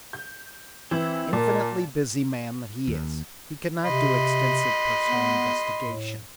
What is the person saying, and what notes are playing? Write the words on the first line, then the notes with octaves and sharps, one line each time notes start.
Infinitely busy man that he is, he cannot do extensive personal investigation.
G6
E3 C4 E4
A#2 A#4 A5
D#2
C3 D#5 B5 C6
B3
A2